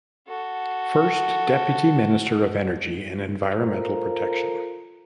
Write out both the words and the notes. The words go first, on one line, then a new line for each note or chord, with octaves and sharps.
First Deputy Minister of Energy and Environmental Protection.
F#4 A4
F4 A4 A#4 C5